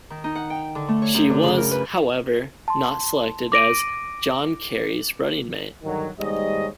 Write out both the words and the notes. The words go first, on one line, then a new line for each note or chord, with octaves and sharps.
She was, however, not selected as John Kerry's running mate.
D#3
D#4
F#5
G5
D3
A3
C#5
F#2
D3
C#3
A#4
B4
A5 C6
D6 A#6 D7 D#7
G2 D3 D#3 F#3
D#2 G#2 G3 C#5 D#5